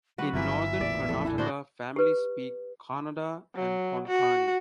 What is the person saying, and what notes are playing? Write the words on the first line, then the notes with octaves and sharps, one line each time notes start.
In Northern Karnataka families speak Kannada and Konkani.
D2 F#3 F#4 G4 B4
G1 G2 E3 A#3 F4 E5
A1 E2 A#2 D5
F2 A2 A4
E4 E5 G#5
A2 D3 B3 C4 D4 F#4 C5
G4 B4
F#3
F#4